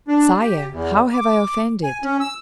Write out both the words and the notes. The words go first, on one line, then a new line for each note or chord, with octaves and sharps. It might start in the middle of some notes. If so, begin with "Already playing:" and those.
"Sire, how have I offended?"
D4
G4
E2
D6
G#5
C#4
E6